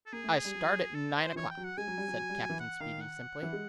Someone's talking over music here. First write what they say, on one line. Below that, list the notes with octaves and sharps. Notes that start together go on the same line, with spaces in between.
"I start at nine o'clock," said Captain Speedy, simply.
A4
A#3 G#4
A3
G3
F#3
A4
C5
F3
E3 C#5
G5
F#3
F#5
G#3 G#5
F#3
G3
F#3
F#3
G3
F#3
E3
F#5
D#3 F5
F#5
E3
G#3